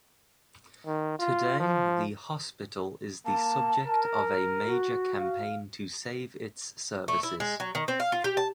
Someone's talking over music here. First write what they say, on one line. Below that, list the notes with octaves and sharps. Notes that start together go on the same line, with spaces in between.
Today the hospital is the subject of a major campaign to save its services.
D#3
F4
F3
A#3 A5
A#4
F#4
F5
A3
E4
G#3
F#3
D#3
C4
F5
F4
G4
A5